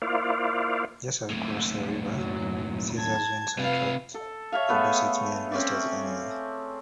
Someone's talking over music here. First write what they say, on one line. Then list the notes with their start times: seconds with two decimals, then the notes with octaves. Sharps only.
Just across the river, Caesars Windsor attracts about six million visitors annually.
0.02 A#3 E4 F4 C5 D5 F5
1.30 D#2 A2
2.11 F#2 F#3
2.97 A5 G#6
3.59 C3 F4 B4 F5
4.14 A4
4.52 C#5 E5 F5
4.69 A3 B3 G#4 A4
5.52 C4 C#4 D5